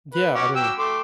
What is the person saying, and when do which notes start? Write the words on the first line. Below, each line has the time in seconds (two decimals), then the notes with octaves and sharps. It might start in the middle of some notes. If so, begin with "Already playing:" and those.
Yeah, I mean,
0.14 B4
0.35 C#4 F#4 D6
0.55 F#3 G5 E6
0.79 A3 C6 D6